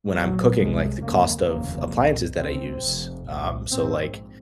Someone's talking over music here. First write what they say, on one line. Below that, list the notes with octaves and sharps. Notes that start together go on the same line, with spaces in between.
when I'm cooking, like, the cost of appliances that I use, um, so, like,
A#1 A#2 F#3
C2 C3 G#3
F1 D#2 C#3 A#3
F1 D#2 C#3 A#3
C2 A#2
C#2 C3 C4
F1 F2 C3
C2 A#2
A#1 G#2 C4